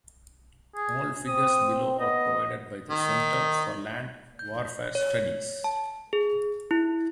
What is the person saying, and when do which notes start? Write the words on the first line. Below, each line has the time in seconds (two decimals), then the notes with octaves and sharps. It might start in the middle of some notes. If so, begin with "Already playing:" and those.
All figures below are provided by the Centre for Land Warfare Studies.
0.75 G#4
1.27 C4 D#6
2.00 B3 D#5
2.90 D#3
4.39 G6
4.95 C#5
5.64 A5
6.13 G#4
6.71 E4